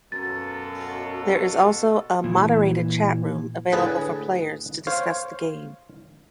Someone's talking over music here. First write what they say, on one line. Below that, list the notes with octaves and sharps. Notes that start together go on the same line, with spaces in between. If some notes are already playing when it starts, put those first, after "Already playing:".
There is also a moderated chat room available for players to discuss the game.
F#2 B2 F4 F#4 A4 A6
A#2 E3
A2 D3 G#4 B4 G#5 A5
C5 C#5 F5